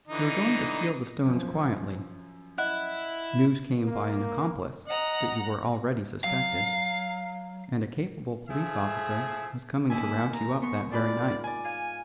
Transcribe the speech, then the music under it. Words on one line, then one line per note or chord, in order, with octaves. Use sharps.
You were going to steal the stones quietly; news came by an accomplice that you were already suspected, and a capable police officer was coming to rout you up that very night.
D3 E3 D#4
F#2 F3
E4 D#5 F#5 F#6
A#3
D#5 F#5 A#5
F#3 F5
F3 A3 E4 G#4 E5
D#2 E4 G#5
A#5
B3 C6 C#6
G#2 F4 D5 B5
D5 G#5
F5 G#5